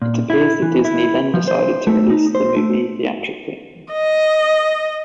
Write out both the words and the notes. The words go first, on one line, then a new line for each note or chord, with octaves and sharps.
It appears that Disney then decided to release the movie theatrically.
A#2
E4
E3
E4
F3
C5
A3
D#4
C5
A3
D#5